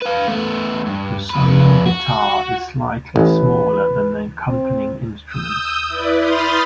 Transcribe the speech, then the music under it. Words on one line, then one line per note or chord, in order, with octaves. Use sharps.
The solo guitar is slightly smaller than the accompanying instruments.
B4 F5
A3 B3
G2
F2 B4
F#4
A1 B4
C4
D#6 E6 G6
E4 B4 D5
B5 C6 D#6 F6 G6 A6